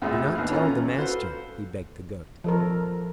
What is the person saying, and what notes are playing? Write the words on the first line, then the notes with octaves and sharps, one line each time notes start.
"Do not tell the master," he begged the Goat.
D2 A2 G#3 F4 E5
D#2 B3 F5 F#6
E3 C#4 F4 A4 A#5
F#4 A4 B4 C5 F5
F3 A4 A#4